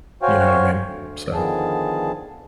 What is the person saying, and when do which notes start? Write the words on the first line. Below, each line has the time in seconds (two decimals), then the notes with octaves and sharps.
You know what I mean? So
0.22 F#4 C5 C#5 F5 G5 G#5
0.80 D2
1.34 D3 D#3 F3 B3 G#4 A5